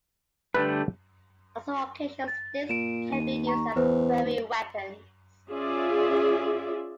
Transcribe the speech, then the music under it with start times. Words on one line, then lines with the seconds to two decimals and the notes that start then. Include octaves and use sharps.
On some occasions, sticks can be used as throwing weapons.
0.54 D3 G3 A3 B4
2.28 A6
2.69 A#2 D7 E7
3.12 D#2 D#7
3.47 A#5 C#6
3.76 E2 B4 C5
4.26 D#2
5.51 C#4 F4 G#4 D5 E5